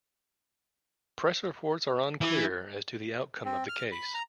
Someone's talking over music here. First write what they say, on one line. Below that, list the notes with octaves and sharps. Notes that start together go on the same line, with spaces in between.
Press reports are unclear as to the outcome of the case.
E3
C4
F6
B5
A#5